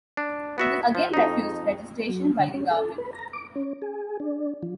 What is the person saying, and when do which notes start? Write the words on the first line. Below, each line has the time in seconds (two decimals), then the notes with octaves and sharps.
It was again refused registration by the government.
0.17 D4
0.58 B3 F#4 E5
0.95 F3
1.14 F2 D#4
2.09 F#3
2.39 D3
2.54 C#4
2.71 A4
2.98 B4
3.13 A#5
3.33 D6
3.56 C#4
3.82 G#4
4.20 D4
4.63 F3